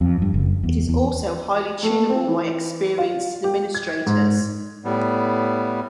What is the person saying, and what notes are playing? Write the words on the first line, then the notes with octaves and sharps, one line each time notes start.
It is also highly tunable by experienced administrators.
F2
G2
F#1
E2
E2
A3
C4
E3
F4
G4
G#6
G#2
A2 G3 B3